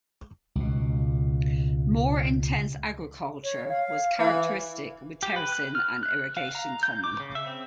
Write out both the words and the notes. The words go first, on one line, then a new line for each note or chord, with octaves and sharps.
More intense agriculture was characteristic, with terracing and irrigation common.
C#2 B2
C#5
F5
E3
G4
B4
F#6
F6
F#6
F5
A#5
G6
D6
C#3
E5
C4